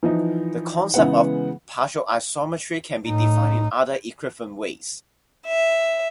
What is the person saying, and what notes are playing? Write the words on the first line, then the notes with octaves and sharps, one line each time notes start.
The concept of partial isometry can be defined in other equivalent ways.
E3 F3 D#4
C#3 E3 G#3 B3 F#5
A2 D#4
E5